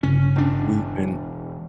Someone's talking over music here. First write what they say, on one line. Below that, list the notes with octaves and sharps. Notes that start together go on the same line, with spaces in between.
we've been
G1 C#3 C#4
E1 D4